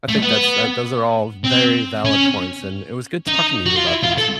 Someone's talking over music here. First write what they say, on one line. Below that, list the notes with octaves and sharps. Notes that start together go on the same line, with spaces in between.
I think that's that those are all very valid points, and it was good talking to you about these.
A3
B3
C4
C#4
D#4
F#4
F4
E4
F4
A4